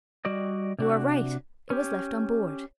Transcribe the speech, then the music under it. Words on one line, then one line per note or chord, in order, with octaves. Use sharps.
"You are right; it was left on board."
G3 F#4 D5 D#5
C3 D4 F#4
C#4 G4